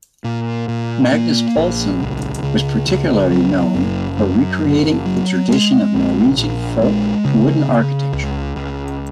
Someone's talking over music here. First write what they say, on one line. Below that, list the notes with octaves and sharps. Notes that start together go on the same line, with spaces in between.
Magnus Poulsson was particularly known for recreating the tradition of Norwegian folk wooden architecture.
A#2
A#2
A#3
A#1
C#2
C#2
C#2
F#3
F#1
F#2
F#1
F#3
G#3
A#1
A#1
G#3
C#3
C#3
C#2
C#2